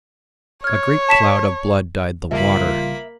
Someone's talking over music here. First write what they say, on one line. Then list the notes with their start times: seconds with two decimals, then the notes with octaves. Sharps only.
A great cloud of blood dyed the water.
0.64 C#5 F6 G#6
1.09 A5 B6 E7
2.31 A1 C#3 G3 A#3 F4 E5 B5